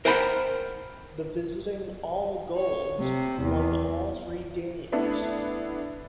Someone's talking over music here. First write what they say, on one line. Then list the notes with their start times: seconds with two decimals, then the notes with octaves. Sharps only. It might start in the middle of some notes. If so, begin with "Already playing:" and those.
The visiting "All Golds" won all three games.
0.05 A#4 C5 F#5 G5 A5 B5
2.55 C#5
3.00 C3
3.42 E2
4.92 A3 B3 D4 E4